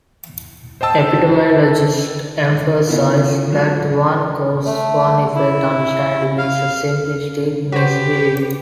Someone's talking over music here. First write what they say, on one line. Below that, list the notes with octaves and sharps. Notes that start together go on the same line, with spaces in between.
Epidemiologists emphasize that the "one cause - one effect" understanding is a simplistic mis-belief.
C5 D#5 G5 A5 E6
C#3 B3 E4 F4 A#4
F#3 G#3 F4 F#4
A3
E4
F5
F#4 G4 B4 C5